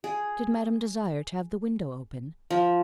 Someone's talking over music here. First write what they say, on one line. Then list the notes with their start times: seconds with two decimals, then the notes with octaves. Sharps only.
Did madame desire to have the window open?
0.04 G#4
2.51 F3